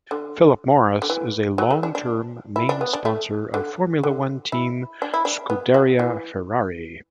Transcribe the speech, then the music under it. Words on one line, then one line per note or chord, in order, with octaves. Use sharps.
Philip Morris is a long-term main sponsor of Formula One team Scuderia Ferrari.
D3
D3
E3
F#3
A3
D4
D4
E4
D4
B3
D4
A3
D3
D3
E4
D4
E4
D4
B3
F#3
E3